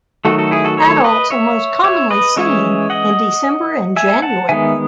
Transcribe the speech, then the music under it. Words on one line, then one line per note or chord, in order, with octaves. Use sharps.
Adults are most commonly seen in December and January.
D#3 F#3 A3 F#4 A4
F#4 A4
E4 G#4
F#4 A4
A4 C#5
B4 D#5
C#5 E5
C#5 E5
B4 D#5
E3 G#3 C#4 C#5 E5
D#5 F#5
E5 G#5
F#5 A5
D#3 G#3 B3 E5 G#5